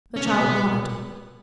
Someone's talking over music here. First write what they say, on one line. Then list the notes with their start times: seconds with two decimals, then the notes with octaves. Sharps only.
The child nodded.
0.16 C#4
0.27 B3